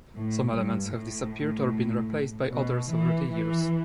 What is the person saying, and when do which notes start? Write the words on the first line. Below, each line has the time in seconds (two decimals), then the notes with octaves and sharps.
Some elements have disappeared or been replaced by others over the years.
0.14 A2
0.54 G2
0.93 A2
2.52 B2
2.92 E3
3.32 E3